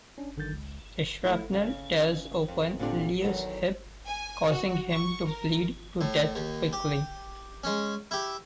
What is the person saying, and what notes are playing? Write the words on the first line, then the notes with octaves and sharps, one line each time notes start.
The shrapnel tears open Leer's hip, causing him to bleed to death quickly.
C#4 D4
G1 D3 D#3 F#3 G6 A6
C#2
A3 E4
C#3
F2
A#2 D3 C4 D4 G4
E2 D#3 F#3 E4 A4 D#5
G#5
F#4
C#6
A#4
A2
D#2
G4
G#3 C#4
E4 G4